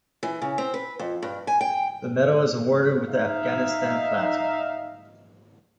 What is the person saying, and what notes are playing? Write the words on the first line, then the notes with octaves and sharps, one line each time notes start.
The medal is awarded with the "Afghanistan" clasp.
E3
C#3
C4
B4
F2
G2
G#5
G5
D#4 E5 F5